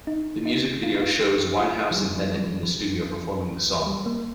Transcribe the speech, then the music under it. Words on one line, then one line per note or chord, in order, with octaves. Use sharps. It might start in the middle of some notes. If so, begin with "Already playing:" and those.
The music video shows Winehouse and Bennett in the studio performing the song.
D#4
D#4
F4
D#4
F4
G4
G4
F4
F4
F3
G3
F3
G3
F3
F3
G3
A#3